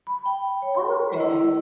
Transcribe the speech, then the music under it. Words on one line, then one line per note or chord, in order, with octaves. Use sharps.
Oh, okay.
B5
G5
C#5
E4